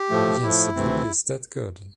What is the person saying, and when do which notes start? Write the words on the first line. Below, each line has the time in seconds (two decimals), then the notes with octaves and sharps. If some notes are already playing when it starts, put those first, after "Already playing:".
Yes, it really is that good.
Already playing: G4
0.10 A2 F3 A3
0.43 A2 F3 A3 E4
0.76 D2 C3 E3 A3 C4